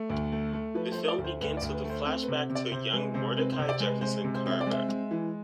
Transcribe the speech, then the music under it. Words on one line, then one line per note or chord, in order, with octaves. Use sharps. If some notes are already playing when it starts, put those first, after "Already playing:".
The film begins with a flashback to a young Mordechai Jefferson Carver.
Already playing: A3
D2
A3
A3
F3 B4
C5
A3
D5
D2
C5
D2 B4
D5
D2
B4
A3
C5
C4
B4
C3
C3
D5
C3 C5
G#3 B4
C3 C5
C4 B4
C5
C3
D5
G#3
B4
G#3 C5
C3
C5
C4
E5
D5
G#3
E5
G#3
E3